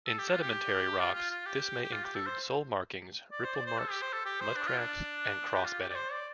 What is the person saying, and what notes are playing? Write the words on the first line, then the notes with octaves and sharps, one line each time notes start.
In sedimentary rocks this may include sole markings, ripple marks, mudcracks and cross-bedding.
A4
G4
F4
G4
F4
F4
F4
G4
G4
F4
G4
A4
C5
D5
C5
D5
C5
A4
G4
C5
A4
G4
C5
D4
F4
D4
G4
F4
G4
D5
C5
D5